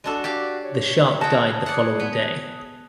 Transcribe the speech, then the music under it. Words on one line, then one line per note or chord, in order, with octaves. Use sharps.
The shark died the following day.
G#3 D4 F#4 A4
G4 D5 F5
C#5
F#4 G#4 G5 A5
D5 F#5
B3